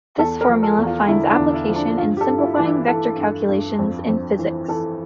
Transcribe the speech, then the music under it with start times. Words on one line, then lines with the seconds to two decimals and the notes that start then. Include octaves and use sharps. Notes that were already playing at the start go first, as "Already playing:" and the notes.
This formula finds application in simplifying vector calculations in physics.
0.18 E2 A4
0.41 A#4
0.49 F3
0.63 A4
0.78 E2
0.86 F4
1.08 D3 E4
1.31 D4
1.39 E2
1.54 E4
1.68 F3
1.76 D4
1.98 G2 F4
2.17 G4
2.21 A4
2.28 G2
2.38 E4
2.43 F4
2.56 E3 D4
2.65 E4
2.88 E3 A4
3.18 G2
3.48 G2
3.79 F2
4.08 F2
4.39 E3
4.68 E3 A4